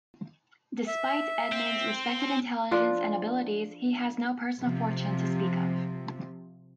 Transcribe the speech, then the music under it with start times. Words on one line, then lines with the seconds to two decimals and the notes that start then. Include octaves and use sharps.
Despite Edmund's respected intelligence and abilities, he has no personal fortune to speak of.
0.87 E5
1.52 C4
2.71 F3 D4 F4 D5
4.60 C3 F3